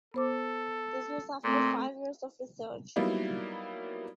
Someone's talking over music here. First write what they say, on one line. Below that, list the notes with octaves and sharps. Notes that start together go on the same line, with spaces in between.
This was after five years of research.
B3 A4 C5 D6
A#2 A3 C4
F#3 G3 A#3 B3 D#4 E4